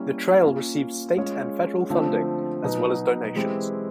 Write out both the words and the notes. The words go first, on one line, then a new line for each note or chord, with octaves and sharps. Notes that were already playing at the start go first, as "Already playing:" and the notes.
The trail receives state and federal funding as well as donations.
Already playing: G3 A#3 C#4 E4
A#3 C#4 F4
G#3 C#4 F4 G#4 C#5
D3 F3 A3 C4 F4
B2 F#3 B3 D#4
E3 G#3 C4 E4 G4